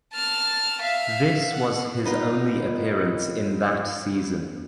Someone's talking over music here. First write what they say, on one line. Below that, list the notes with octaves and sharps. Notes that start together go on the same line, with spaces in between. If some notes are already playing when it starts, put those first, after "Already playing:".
This was his only appearance in that season.
A5 F6
E5 F5
F#5
D#3 B3 D#4 F4 B4